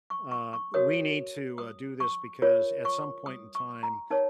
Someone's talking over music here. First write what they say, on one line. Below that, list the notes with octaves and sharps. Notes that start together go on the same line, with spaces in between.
uh, we need to, uh, do this because at some point in time,
C#6
C#6
C#6
F#4 A#4 C#5 D#6
D#6
C#6
F4 A#4 C#5
C#6
D#6
C#6
A#5
D#4 A#4 C#5 A5